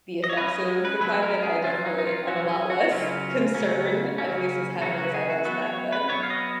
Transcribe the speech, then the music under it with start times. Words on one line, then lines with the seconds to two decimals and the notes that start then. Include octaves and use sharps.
the effects of the climate, I definitely am a lot less concerned- at least as heavily as I was back then.
0.24 D#5
0.30 C#5
0.37 F#3 C#4 B4
0.53 D#5
0.85 B4
1.01 F#3 C#4 B4
1.22 A#4
1.43 G#4
1.64 F#3 C#4 F4
1.86 D#4
1.98 D#4
2.07 F4
2.27 F#3 C#4 F#4
2.49 G#4
2.70 F#4
2.91 C#3 F#3 A#3 C#4 F4
3.55 C#3 F#3 A#3 C#4
4.18 C#3 F#3 A#3 C#4
4.82 C#3 F#3 A#3 C#4 F#4
4.98 F#4
5.14 G#4
5.30 F#4
5.45 F#3 B3 F#4
5.62 C#5
5.92 B4
6.09 F#3 B3 C#5
6.23 F5
6.30 D#5